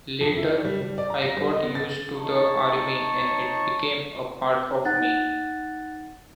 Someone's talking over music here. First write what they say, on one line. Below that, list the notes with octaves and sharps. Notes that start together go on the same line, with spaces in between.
Later I got used to the army, and it became a part of me.
F2
E4
D5
G3
G3
D5
A#5
A#6
G3
D#5
B3
A6
D#4 C#5 A5 C#6
D#4 F#5 F#6 A6